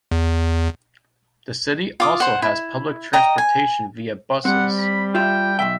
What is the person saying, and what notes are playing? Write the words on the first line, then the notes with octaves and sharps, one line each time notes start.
The city also has public transportation via buses.
E2
F4 D6 D#6
C5 F#5
E4
D#5 G5 A#5
G#5
G3 C4 F#5
B5
F4 E5 G5
B1 E3 E5 G5